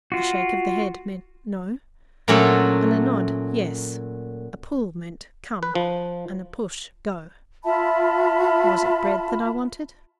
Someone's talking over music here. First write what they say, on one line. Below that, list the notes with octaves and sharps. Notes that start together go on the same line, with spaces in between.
A shake of the head meant "No" and a nod, "Yes," a pull meant "Come" and a push, "Go." Was it bread that I wanted?
F4 F#4
A#2 F#3 A3 C#4 F#4 A4
B4
F3
F4 E5 A5 B5